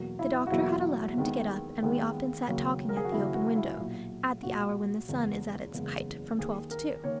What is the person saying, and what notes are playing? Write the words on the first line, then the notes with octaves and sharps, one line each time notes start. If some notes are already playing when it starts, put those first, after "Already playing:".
The doctor had allowed him to get up, and we often sat talking at the open window, at the hour when the sun is at its height, from twelve to two.
Already playing: E2 B2 F#3 A#3
E4
F#4
E2 B2 F#3 A#3 E4
D#2 D#3 G#3 B3
D#2 D#3 G#3 B3
D#2 C#3 F#3 A#3
A#4
G#4
F#4
D#2 C#3 F#3 A#3 E4
F#4
E4
B1 A#2 F#3
B1 A#2 F#3 F#4
F#1 E2 C#3 G#3 B3
F#1 E2 C#3 G#3 B3
D#2 D#3 A#3 G#4
A#4
D#3 A#3 C#5